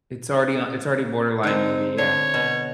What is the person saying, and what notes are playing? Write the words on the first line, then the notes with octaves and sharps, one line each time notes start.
It's already on it's already borderline, maybe, yeah.
D3 C4 D#4
D3 C#5
B2